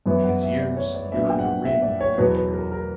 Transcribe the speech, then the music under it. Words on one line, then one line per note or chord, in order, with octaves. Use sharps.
In his ears, he heard the ring of victory.
F#2 E3 B3 E4
F#5
E5
D5
C#5
D5
A#2 F#3 B3 D4 E5
G5
F#5
E5
D5
C#5
E2 B2 F#3 B3 B4
B4
A#4
A#4